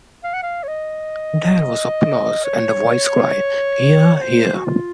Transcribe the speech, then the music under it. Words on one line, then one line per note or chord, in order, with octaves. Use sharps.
There was applause, and a voice cried: "Hear, hear!"
F5
F#5
F5
C#5
D#5
C#5
C#5
C5
F#4
F4